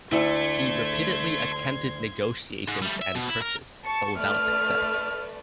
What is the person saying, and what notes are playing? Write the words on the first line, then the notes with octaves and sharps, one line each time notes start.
He repeatedly attempted negotiations and purchase, but without success.
D2 A3 E4 C6 G#6
G#2
G3 A3
E5
B2
E4
A#4
A5 C#6 C#7
A3 B4 D5 F6